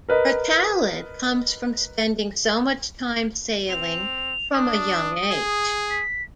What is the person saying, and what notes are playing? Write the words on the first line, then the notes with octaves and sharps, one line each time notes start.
Her talent comes from spending so much time sailing, from a young age.
A#4 B4 D#5
C4 F7
D4 D#6
G#4
B6